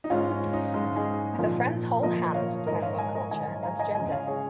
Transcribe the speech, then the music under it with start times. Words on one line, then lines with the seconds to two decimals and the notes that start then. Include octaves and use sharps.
Whether friends hold hands depends on culture and gender.
0.04 D#4
0.10 G#2 G#3 C#4 F4
0.31 C#4
0.53 D#4
0.74 G#2 G#3
0.96 D#4 G#4
1.38 A#2 F3 A#3
2.02 A#2 F3 A#3 A#4 D#5
2.34 C#5 F5
2.67 G#2 D#3 G#3 A#4 D#5
2.82 C#5 F5
2.99 D#5 G#5
3.15 A#4 D#5
3.31 G#2 D#3 G#3 D#5 G#5
3.63 F5 A#5
3.79 D#5 G#5
3.95 C#3 G#3 D#5 G#5
4.11 C#5 F5
4.27 G#4 C#5